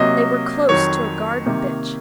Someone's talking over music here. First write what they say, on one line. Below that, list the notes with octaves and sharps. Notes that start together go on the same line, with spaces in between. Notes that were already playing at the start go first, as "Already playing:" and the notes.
They were close to a garden-bench.
Already playing: C3 F#3 A#3 D#5
F2 D#3 F#3 C#5
C3 D#3 A#3